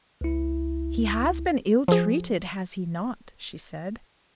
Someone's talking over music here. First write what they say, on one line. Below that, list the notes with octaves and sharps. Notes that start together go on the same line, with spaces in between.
"He has been ill-treated; has he not?" she said.
C#2 E4
F3 G#4